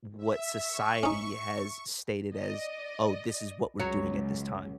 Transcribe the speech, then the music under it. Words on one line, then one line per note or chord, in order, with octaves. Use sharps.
what society has stated as, "Oh, this is what we're doing at this time."
E5
C#6
C#4 D#4
D5 D#5
C#2 F#3 F#4 C#5